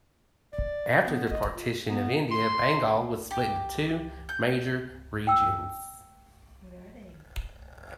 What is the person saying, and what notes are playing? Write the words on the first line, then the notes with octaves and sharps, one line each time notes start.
After the partition of India, Bengal was split into two major regions.
D5
B3
D#5
F4
B3
C6
G4
G6
G5 E6